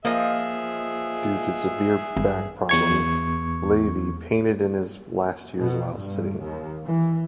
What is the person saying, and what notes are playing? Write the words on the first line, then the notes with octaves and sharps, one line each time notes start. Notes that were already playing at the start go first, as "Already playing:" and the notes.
Due to severe back problems, Lavie painted in his last years while sitting.
F3 A#3 G#4 D#5 E5
G#1 G2
E2 C#6 G#6
B2
G2
D#2
E3